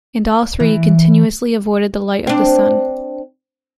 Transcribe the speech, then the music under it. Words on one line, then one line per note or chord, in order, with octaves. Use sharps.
And all three continuously avoided the light of the sun.
E3
C4 D4